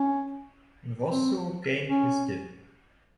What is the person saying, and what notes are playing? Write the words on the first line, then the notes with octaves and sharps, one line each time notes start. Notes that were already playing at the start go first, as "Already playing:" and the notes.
Nwosu gained his Dip.
Already playing: C#4
C4
C#4